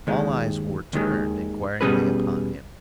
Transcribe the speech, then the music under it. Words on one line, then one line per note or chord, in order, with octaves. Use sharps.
All eyes were turned inquiringly upon him.
D#2 D#3 G#3
D#2 D#3 G#3
B2 G3 C#4 G#4 B4